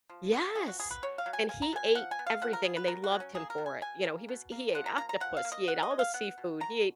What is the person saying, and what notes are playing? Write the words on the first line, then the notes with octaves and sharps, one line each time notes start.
Yes, and he ate everything, and they loved him for it, you know, he was he ate octopus, he ate all the seafood, he ate
F3
B3
F3 G#4
F#4
B3 G#4
B4
B2 C#5
F5
F#3
G#5
A#3 G#5
A#5
B2 G#5
F3 F#5
G#5
B3
F5
F3 F#5
A#4
B3 G#4
B4
B2 A#4
F#4
F#3
C#4
A#3 G#4
A#4
B2
G#5
B2 G#5
A#3
B2
A#3
F3 F#5
A#5
A#3 A#5
A#5
F3 F#5
F5
A#3
D#5
B2 F#5
D#5
G#3
F5
B3 F#5
B2
B2 A#5